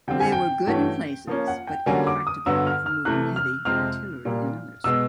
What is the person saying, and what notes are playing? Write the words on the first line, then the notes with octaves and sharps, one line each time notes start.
They were good in places but impractical for moving heavy artillery in others.
D3 G3 C4 F4 G5
G#5
G5
G2 E3 A3 C#4 F#4
F3 A#3 C#4
F#5
G5
D3 G3 A#3 C#4 F#4 G#5
D6
D#6
G2 D3 F#3 B3 E6
F6
F6
C3 E3 A3 F#6
F6
F2 C3 F3 G#3 C4 F6
A#2 G3 A#3
B2 G#3 B3 E6